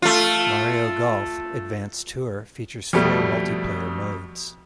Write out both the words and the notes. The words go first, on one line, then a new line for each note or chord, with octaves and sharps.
"Mario Golf: Advance Tour" features four multiplayer modes.
A3 F4
F2 B2 G3 A3